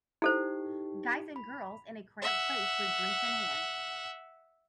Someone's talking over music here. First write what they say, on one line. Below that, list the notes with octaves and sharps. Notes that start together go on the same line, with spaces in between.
Guys and girls in a cramped place with drinks in hand.
D#4 E4 G4 A4 C5
B5
E5 F#5